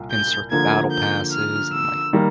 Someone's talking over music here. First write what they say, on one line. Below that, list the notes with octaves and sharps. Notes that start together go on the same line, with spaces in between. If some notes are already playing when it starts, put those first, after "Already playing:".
insert the battle passes and, like,
Already playing: C2 A#2
G6
D3 F3 A#3 G#6
G6
F6
E6
D#3 G3 A#3